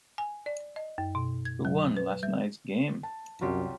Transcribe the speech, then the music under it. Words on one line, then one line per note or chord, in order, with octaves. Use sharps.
Who won last night's game?
G#5
D5
D#5
F#2
B2
G#6
F#3
B4
G3
A5
C2 F#2 F#3 F4 G4